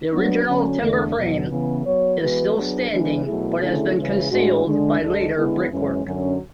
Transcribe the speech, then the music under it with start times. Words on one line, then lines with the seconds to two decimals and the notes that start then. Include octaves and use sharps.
The original timber frame is still standing but has been concealed by later brickwork.
0.10 F#3 B3 D4
0.46 D3 F#3 C#4
0.80 E2 D3 A3
1.15 E2 B2 F#3
1.50 C#3 E3 B3
1.85 F#3 B3 F#4 C#5
2.20 E3 G#3 B3 F#4 B4
2.55 F#3 B3 D4 G#4
2.90 E3 G#3 B3 D4
3.24 B2 F#3 A3 E4 G#4
3.59 D3 A3 C#4 E4 G#4
3.95 C#3 E3 G#3 C#4
4.30 A2 G#3 D4 F#4
4.64 D3 G#3 D4
4.99 D2 D3 G#3
5.34 D3 G#3 B3 E4
5.69 F#2 E3 G#3 C#4
6.04 F#2 D3 F#3 C#4